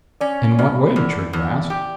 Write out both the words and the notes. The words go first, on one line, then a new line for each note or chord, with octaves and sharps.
"In what way?" Trigger asked.
C#4 D5
G2 D5
E2
E2
G4